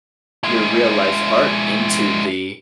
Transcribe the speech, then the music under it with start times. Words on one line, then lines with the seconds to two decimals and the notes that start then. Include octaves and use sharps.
your real-life art into the,
0.44 G#3 E4